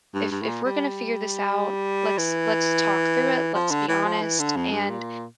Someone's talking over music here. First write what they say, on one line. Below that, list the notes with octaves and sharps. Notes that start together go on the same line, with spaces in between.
if if we're gonna figure this out, let's let's talk through it, let's be honest," and
G2
G2
A2
A#2
G3
E3
F3
D3
E3
F3
E3
D3
F2
G2
A#2